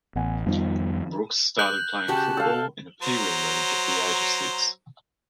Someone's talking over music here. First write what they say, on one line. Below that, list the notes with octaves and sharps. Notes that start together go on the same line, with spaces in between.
Brooks started playing football in a pee wee league at the age of six.
A1 B3 F#5 G#5
F2 D#3 F3 G3 B3
F#6 G6 F#7
C#3 F#4 G4 A5
A4 F5
F#3 C5 A#5